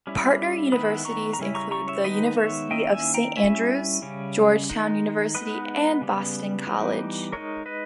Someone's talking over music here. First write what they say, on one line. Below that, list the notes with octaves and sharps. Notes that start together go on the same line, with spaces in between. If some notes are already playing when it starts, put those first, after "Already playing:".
Partner universities include the University of Saint Andrews, Georgetown University and Boston College.
G3 C#4 E4
D#3 G#3 B3 E4 B5 D#6
A#5 C#6
A#5
C#3 G3 C#4 E4
A#5 C#6
A#5 C#6
C#5 E5
D#3 G#3 B3 D#4 B4 D#5
C#5 E5
D#3 A#3 C#4 E4 D#5 G5
E5 G#5
G5 A#5
G3 C#4 E4 E5 G#5
C#3 G3 C#4
D#3 G#3 D#4
G#3 B3 D#4 B4 D#5
C#3 G3 B3
E3 G3 B3 D#4
G#3 D#4 A#4 C#5
B4 D#5